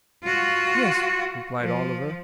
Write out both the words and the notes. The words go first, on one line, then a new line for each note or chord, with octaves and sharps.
'Yes,' replied Oliver.
F4 F#4
F3